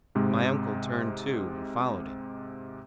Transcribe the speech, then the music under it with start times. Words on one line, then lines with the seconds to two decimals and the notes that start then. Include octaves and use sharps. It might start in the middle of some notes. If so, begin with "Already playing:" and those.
My uncle turned too, and followed it.
0.15 G#2 C3 G#3